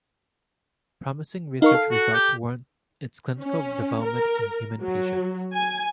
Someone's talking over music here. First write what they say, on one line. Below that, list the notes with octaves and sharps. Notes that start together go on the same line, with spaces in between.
Promising research results warrant its clinical development in human patients.
D#4 A#4 F5 C#6
A4
F#4
G4
C#4
A#4
F#3
G#5